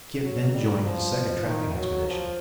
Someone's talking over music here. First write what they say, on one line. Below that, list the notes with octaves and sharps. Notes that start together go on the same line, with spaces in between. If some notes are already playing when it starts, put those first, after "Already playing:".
Kit then joined his second trapping expedition.
F#3
G3
F3
D#3
F#3
F3